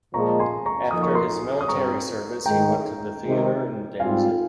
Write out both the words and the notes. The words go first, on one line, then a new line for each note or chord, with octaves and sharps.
After his military service he went to the theatre in Danzig.
A#2 F3 G#3 A#5 C#6
G#5 C6
A#5 C#6
F3 A#3 D#4 A#4 D#6
C#6
C6 D#6
D#6
G2 G3 C4 A#5 C#6
G#2 D#3 G#3 G5 A#5
C3 D#3 G#3
G#2 G3 C4 F4 F5 G#5